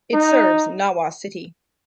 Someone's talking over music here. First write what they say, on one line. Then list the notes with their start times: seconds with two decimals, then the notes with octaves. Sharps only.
It serves Nawa City.
0.14 D#4